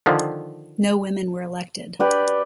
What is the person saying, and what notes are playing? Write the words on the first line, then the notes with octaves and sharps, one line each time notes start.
No women were elected.
D3 D#3 F3
G4 B4 D5